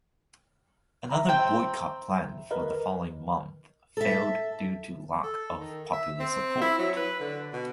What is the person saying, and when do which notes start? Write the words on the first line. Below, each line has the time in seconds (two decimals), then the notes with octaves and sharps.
Another boycott planned for the following month failed due to lack of popular support.
1.10 E5 A#5 B5
1.29 C4 G5
2.51 A#4 B4 D#5
3.97 A4 E5
5.24 A4
5.61 D#3
5.93 E5
6.20 C4
6.61 E4
6.78 F#3
6.97 B4
7.20 D3
7.53 B2